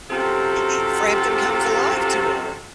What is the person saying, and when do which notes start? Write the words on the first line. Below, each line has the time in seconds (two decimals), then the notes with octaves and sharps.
E Frampton Comes Alive tour.
0.10 F#2 C3 C4 F4 G4 A4